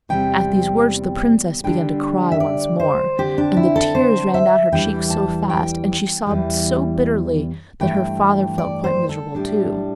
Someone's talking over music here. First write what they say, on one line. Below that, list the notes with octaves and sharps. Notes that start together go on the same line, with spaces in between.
At these words the princess began to cry once more, and the tears ran down her cheeks so fast, and she sobbed so bitterly, that her father felt quite miserable too.
E2 C3 G3 C4 G5
D3 G3 D4 G5
E5
D5
C5
D3 C4 G4
D4
E4
A4
C5
E5
E2 E3 G3 D4 G5
A5
G5
E2 E3 G3
G2 E3 A3 G5
D5
C5
A4
A2 G3 D4